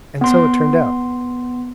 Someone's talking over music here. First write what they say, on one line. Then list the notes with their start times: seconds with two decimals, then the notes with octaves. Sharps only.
And so it turned out.
0.21 B3 C6